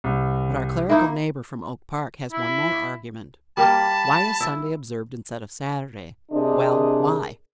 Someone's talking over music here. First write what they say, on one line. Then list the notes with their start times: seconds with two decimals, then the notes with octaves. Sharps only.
But our clerical neighbor from Oak Park has one more argument: "Why is Sunday observed instead of Saturday?" Well, why?
0.04 C2
0.90 A#3 D#4 E4 E5
2.32 E4
3.57 G3 A#3 A#4 A5 B5
4.41 E4
6.31 C3 D4 G#4 A#4 D#5